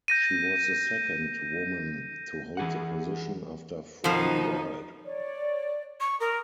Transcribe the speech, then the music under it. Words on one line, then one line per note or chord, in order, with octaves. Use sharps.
She was the second woman to hold the position, after Fran Wilde.
G6 A#6 D#7
E3 G#4 F#5
B2 D#3 F3 D#4
C#5 D5
C#6
A#4 D#6